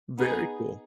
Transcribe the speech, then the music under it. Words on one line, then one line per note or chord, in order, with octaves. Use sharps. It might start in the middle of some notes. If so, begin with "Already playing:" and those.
Very cool.
B3 D#4 G#4